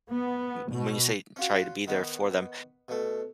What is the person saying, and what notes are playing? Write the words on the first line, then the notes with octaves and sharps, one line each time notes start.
and when you say try to be there for them,
B3
B2
C#4 F4 F#4
D#3 B3
B2 A3